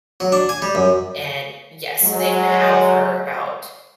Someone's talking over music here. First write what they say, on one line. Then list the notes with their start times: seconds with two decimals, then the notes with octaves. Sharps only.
and yes, so they've been out for about
0.20 F#3
0.32 D4
0.49 G#5
0.62 G3
0.75 F#2
2.02 F#3 G#3